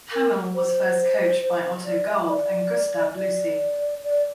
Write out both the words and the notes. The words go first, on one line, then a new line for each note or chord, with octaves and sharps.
Hamill was first coached by Otto Gold and Gustave Lussi.
A#4
C5
D5
E5
D5
D5
D5